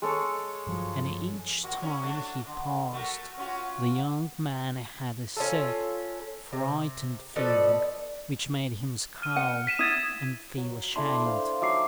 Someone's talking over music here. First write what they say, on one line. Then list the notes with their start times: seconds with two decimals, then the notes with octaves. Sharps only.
And each time he passed, the young man had a sick, frightened feeling, which made him scowl and feel ashamed.
0.02 G#3 A4 C#5
0.67 G2 F3 F#3
1.63 A#2 A#3 F#4
1.82 C#4 E4 C#5
2.03 F#3 A3 D4
2.46 D3
2.93 A3 F#4 A#4
3.37 C#4 F4 F#4
5.36 C#4 F4 A4
6.53 C3
7.36 B2 F3 A4 D5
9.22 F6 D#7
9.36 F#5
9.67 B6 D#7 E7
9.79 E4 D#6 G#6 A6
10.57 F#3
10.96 D4 E4 A4 C6
11.24 C5 F5
11.62 F#3 D#4 E5 D6 C7